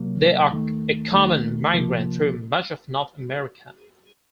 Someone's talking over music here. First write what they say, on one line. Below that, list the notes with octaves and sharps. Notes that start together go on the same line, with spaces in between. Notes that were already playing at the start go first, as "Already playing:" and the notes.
They are a common migrant through much of North America.
Already playing: C#2 C3 F#3 A#3
D#2 D#3 A3
D#2 D#3 A3
C2 C3 F3 A#3